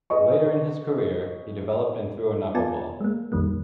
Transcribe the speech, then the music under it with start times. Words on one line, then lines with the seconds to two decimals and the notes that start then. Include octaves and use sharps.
Later in his career, he developed and threw a knuckleball.
0.10 G#4 B4 D#5 C#6
2.55 B3 F4 D5 G#5 A5
3.01 G#3 A#3
3.32 A#1 F2 D#3 G3 A#3